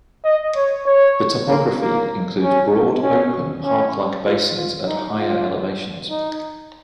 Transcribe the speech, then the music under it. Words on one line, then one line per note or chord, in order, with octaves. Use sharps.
The topography includes broad open park-like basins at higher elevations.
D#5
C#5
C#5
A#3
A#3
C#4
C#4
C#4
F4
F4
D#4
F4
D#4